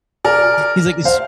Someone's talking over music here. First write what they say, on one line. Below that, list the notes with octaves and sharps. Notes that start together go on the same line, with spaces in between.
He's, like, "It's s"
A#4 D5
C5 F5